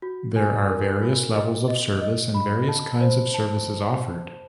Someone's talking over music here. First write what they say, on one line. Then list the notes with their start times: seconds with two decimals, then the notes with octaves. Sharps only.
There are various levels of service and various kinds of services offered.
0.02 F#4
0.36 G#5
0.68 A#4
1.02 F#4
1.35 D#5
1.68 D#5
2.01 D#5
2.34 B5
2.69 A5
3.01 C5
3.34 A5